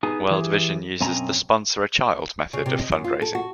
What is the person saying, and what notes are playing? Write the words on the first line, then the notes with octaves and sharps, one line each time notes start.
World Vision uses the Sponsor a Child method of fundraising.
B3 D#4 G#4 G#5
E3 G4 G#4
F#2 B2 C4 G#5 A#5
C#3
C3
D#5
F#2
F4
A4
F#4